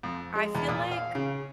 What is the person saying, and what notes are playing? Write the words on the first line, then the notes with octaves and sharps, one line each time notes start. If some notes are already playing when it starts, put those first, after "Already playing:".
I feel like,
F2
G#3
E2
A#2
F5
C#3